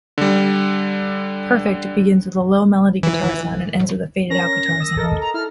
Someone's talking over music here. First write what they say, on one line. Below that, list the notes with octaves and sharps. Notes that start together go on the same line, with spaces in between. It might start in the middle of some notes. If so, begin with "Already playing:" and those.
"Perfect" begins with a low-melody guitar-sound and ends with a faded out guitar-sound.
D3 G3
E3
C#4 A#4 A#6
D#6 E6
A4 A#4 D#5
A#5
E4 A4 F6